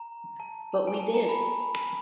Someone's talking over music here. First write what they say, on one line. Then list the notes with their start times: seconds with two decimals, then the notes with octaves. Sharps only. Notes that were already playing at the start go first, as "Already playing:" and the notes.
But we did.
Already playing: A#5
0.40 A5
0.87 G#5
0.99 A5
1.14 A#5
1.28 B5